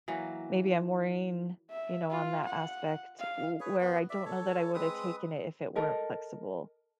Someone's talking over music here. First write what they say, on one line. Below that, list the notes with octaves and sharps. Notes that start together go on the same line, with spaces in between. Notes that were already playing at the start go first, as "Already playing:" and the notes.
Maybe I'm worrying, you know, on that aspect wh where I don't know that I woulda taken it if it weren't flexible.
E3 F#3 A#3
E5
F4
F#5
F5
G#4 B4 C#5
B3 F#4
D5 E5
A4 C#5
G#3 C4 B4 D#6
A4 A#4 D#5